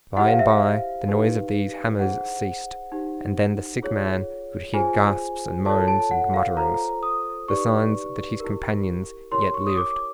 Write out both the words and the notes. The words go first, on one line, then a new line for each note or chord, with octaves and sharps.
By and by the noise of these hammers ceased, and then the sick man could hear gasps, and moans, and mutterings--the signs that his companions yet lived.
E4 G4 C5 F#5
F5
E5
F5
D#4 G4 B4
E4 G#4 C5 F#5
D#4 G4 C5
F4 G#4 C#5
F4 G#4 C5 G#5
F4 A4 C#5 A5
A5
F#5
F5
F4 A4 C5 A#5
D#6
D#4 G4 B4 D5 C#6
E4 G4 A#4
E4 G4 A#4 C#5 C6
C#6
D#6
D6